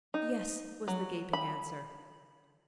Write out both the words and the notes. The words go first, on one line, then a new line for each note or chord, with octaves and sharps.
"Yes!" was the gaping answer.
D#4
F#3
B5